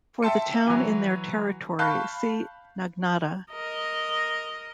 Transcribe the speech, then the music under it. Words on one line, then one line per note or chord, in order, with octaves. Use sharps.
For the town in their territory see Nagnata.
E5 G5 A5 C6 C#7
E3 F#3
F5 A5 B5 C#6 F#6 G6
A#4 D#5